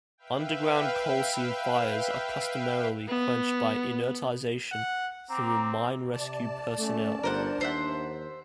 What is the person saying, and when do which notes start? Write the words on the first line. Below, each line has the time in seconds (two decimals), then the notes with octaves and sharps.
Underground coal seam fires are customarily quenched by inertization through mine rescue personnel.
0.18 B4 E5 F5 G5
3.08 B3
4.71 F#5
5.30 C4 A#5 D6
6.13 C3 D5 A5
6.78 A3 C#4
7.23 G1 D4 A#4 C5 F#5
7.61 D#2 C5 E5 F#5